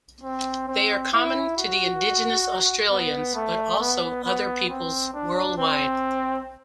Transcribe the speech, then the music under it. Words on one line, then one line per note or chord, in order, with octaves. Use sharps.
They are common to the Indigenous Australians but also other peoples worldwide.
C4
C4
E4
F#4
B3
A3
B3
B3
C4
D4
C4